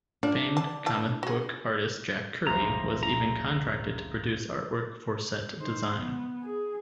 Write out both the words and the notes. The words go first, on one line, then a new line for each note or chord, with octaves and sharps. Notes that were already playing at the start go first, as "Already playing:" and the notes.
Famed comic-book artist Jack Kirby was even contracted to produce artwork for set design.
D4 F4
A5
E4 A5
F#4 G#4
F1 C#2 C5 A#5
A#5
D#4 C5
B3
G#4